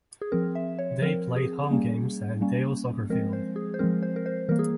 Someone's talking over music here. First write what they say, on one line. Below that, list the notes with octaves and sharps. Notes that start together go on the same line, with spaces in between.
They played home games at Dail Soccer Field.
G#4
F3 C4 A#4
E5
C#5
F3 C4 A#4
G#4
G#4
G3 A#3 C#4
G3 A#3 C#4
F3 G#3 C4 A#4
C5
G#4
C5
F3 G#3 C4 A#4
C5
A#4
C5
E3 G3 A#3 A#4
G#4